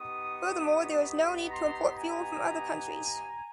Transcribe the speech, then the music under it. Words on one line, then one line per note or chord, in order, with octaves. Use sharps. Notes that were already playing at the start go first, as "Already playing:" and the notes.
Furthermore, there is no need to import fuel from other countries.
Already playing: B3 D#4 G4 C#6 D#6
A#5 C6
G#5 A#5